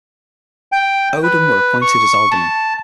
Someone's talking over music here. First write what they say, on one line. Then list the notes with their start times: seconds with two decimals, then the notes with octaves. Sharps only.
Odum were appointed as aldermen.
0.72 G5
1.23 B4
1.82 C#6
2.31 A5